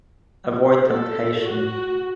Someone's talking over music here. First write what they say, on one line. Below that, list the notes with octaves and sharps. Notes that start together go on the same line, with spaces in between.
Avoid temptation.
A4
F#4